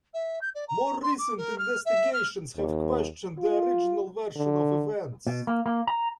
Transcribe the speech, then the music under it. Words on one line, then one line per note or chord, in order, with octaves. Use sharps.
More recent investigations have questioned the original version of events.
E5
G6
D5
A#5
C6
D6
A#4
F6
E5
F6
D#2
F4
D3
B2
A#3
A#3
A#5